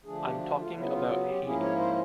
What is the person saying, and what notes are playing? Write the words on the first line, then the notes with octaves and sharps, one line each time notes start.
I'm talking about Haiti.
D3 F3 A3 D4 G#4
G4
F#4
F4
C#3 F#3 B3 E4
F4
F#4
G4
G#2 F3 A#3 C#4 E4 G#4
C#5
C5